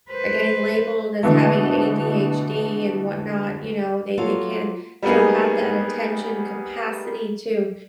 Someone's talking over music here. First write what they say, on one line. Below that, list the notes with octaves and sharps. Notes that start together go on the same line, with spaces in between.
are getting labeled as having ADHD and whatnot, you know, they they can't they don't have that attention capacity to
B4 C5
B2 D3 E3 A3
F#3 A#3 F4 F#4 A4
G3 A#3 B3 D#4 G#4